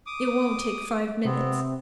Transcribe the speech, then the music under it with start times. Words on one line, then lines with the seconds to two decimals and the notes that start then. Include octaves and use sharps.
It won't take five minutes.
0.06 D6 D#6
1.25 C3 B3 C4